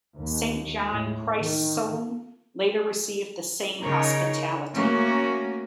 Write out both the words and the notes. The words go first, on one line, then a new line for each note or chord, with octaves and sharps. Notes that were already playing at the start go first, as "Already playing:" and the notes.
Saint John Chrysostom later received the same hospitality.
D#2
A2
D#3
C#3 D#4 A#4 C#5
A3 A#3 C#4 F#4